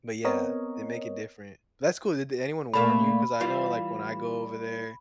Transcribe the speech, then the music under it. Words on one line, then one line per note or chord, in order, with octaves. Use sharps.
but, yeah, they make it different. That's cool. Did anyone warn you? 'Cause I know, like, when I go over there,
B3 C4 A#4 C#5 D#5
A#2 A3 A#3 B5
E3 G3 F4